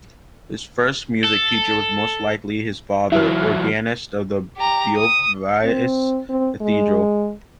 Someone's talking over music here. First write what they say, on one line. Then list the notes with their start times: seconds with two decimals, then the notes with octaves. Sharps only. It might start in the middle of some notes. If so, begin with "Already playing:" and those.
His first music teacher was most likely his father, organist of the Beauvais Cathedral.
1.24 A4
3.12 E3 F#3 E4 E5 F6
4.57 G4 A#5
4.96 D#6
5.65 C4
6.29 C4
6.61 G#3